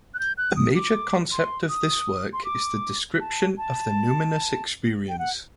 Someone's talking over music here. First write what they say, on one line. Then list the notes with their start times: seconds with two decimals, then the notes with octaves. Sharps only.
A major concept of this work is the description of the numinous experience.
0.14 F#6
0.19 G6
0.38 F#6
0.56 D#6
0.75 D6
1.32 C6
1.69 D#6
2.33 C6
2.45 D6
3.20 A5
3.58 A5
5.09 G5
5.19 F#5